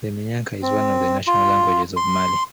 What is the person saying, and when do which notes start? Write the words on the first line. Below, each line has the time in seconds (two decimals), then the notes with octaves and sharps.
Minyanka is one of the national languages of Mali.
0.62 C4
1.27 F4
1.97 C6